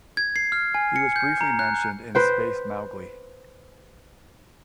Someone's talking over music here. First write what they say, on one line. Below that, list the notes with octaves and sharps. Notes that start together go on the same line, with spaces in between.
He was briefly mentioned in "Space Mowgli".
G#6
C7
F6
G#5
C#7
G6
A#5
F#6
B4 C5 G5